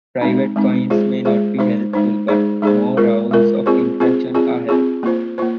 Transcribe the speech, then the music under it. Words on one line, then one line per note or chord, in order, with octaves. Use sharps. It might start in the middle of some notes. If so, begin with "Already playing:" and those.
Private coins may not be helpful, but more rounds of interaction are helpful.
G#3 C4 D#4
G#3 C4 D#4
G#3 F4 G#4 C5
G#3 F4 G#4 C5
G#3 D#4 C5
G#3 D#4 C5
G#3 D#4 G#4 C5
G#3 D#4 G#4 C5
G#3 F4 A#4
G#3 F4 A#4
C4 F4 G#4 C5
C4 F4 G#4 C5
C4 F4 G#4
C4 F4 G#4
A#3 F4 C5
A#3 F4 C5